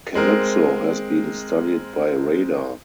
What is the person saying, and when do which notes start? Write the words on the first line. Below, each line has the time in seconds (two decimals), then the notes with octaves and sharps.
Kalypso has been studied by radar.
0.15 G#3 C4 A#4